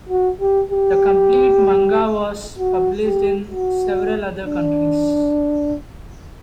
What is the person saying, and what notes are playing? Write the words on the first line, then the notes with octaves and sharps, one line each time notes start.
The complete manga was published in several other countries.
F#4
G4
G4
F#4
G4
F#4
D4